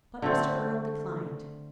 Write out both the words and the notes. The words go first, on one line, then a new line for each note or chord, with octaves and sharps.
But Mr. Erle declined.
D3 A3 C4